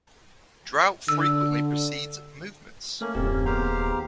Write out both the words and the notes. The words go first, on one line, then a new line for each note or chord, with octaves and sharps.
Drought frequently precedes movements.
D3 E6
A3 A#3 C#4 A4
D#1 F#2 C4 G4
B3 G4 G#4 C5 F5 A#5